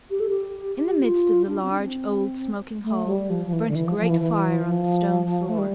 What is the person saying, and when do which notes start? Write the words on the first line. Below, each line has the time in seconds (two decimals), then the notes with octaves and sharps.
In the midst of the large, old, smoking hall burnt a great fire on the stone floor.
0.10 G4
0.20 A4
0.29 G4
1.02 F4
1.47 D4
1.63 C4
1.71 D4
1.78 C4
2.84 A3
3.07 G3
3.30 F3
3.46 F3
3.53 E3
3.69 D3
3.75 E3
3.87 F3
3.99 F3
4.10 E3
4.21 E3
4.66 F3
5.49 A3
5.58 G3